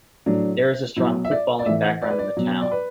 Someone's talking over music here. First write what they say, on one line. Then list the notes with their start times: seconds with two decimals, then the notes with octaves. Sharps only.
There is a strong footballing background in the town.
0.26 A2 F#3 D4
0.96 B2 F#3 E4
1.25 E5
1.31 D5
1.59 D5
1.66 A2 E5
1.69 E3
1.84 F#5
2.02 D5
2.10 B4
2.19 D5
2.37 B2 F#3
2.61 D5
2.71 B4